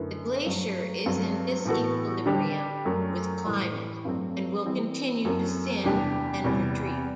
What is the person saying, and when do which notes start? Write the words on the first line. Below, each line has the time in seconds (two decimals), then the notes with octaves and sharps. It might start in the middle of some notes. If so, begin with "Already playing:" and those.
The glacier is in disequilibrium with climate and will continue to thin and retreat.
Already playing: F#2 D3 A3 E4 B4
0.46 G2 F#3 A3
1.06 G2 F#3 C4
1.65 A2 E3 B3 F#4 A4
2.26 D3 G3 D4 G4
2.85 F#2 F#3 A3
3.45 A2 E3 G3
4.05 G2 F#3 A3 C4
4.65 E3 G3 C4
5.25 F#2 F#3 C4 E4 A4
5.84 E2 C3 G3 D4 G4
6.44 E2 C3 G3